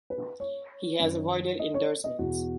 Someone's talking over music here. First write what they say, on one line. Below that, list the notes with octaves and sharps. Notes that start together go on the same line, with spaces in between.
He has avoided endorsements.
B4
C#5
F#2 D#3
D#5
C#5
D#5
E2 B2 F#4